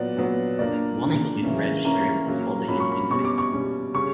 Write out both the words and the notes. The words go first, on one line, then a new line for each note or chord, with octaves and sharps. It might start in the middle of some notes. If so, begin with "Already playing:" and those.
Woman in red shirt is holding an infant.
Already playing: A#2 F#3 B3 D5
A#2 F#3 B3
A#2 A#3 D4 D5
A#2 A#3 D4
C#3 E3 A#3 C#4
C#3 E3 A#3 C#4 A#5
A#2 F#3 A#3 C#4
A#2 F#3 A#3 C#4 B5
C#6
B5
B2 G3 C#4 C#6
D6
C#6
B2 G3 C#4
C#3 G3 C#4 C#6